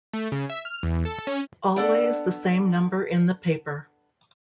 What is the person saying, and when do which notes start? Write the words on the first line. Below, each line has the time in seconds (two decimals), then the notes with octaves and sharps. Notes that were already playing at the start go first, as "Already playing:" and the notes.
Always the same number in the paper.
0.13 A3
0.32 C#3
0.50 E5
0.65 F6
0.83 E2
1.05 A4
1.27 C#4
1.76 B3 D4 A4 D5 F#5 G5